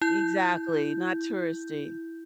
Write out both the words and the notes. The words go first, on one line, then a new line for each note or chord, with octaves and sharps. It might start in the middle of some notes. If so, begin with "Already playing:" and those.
Exactly, not touristy.
E4 G6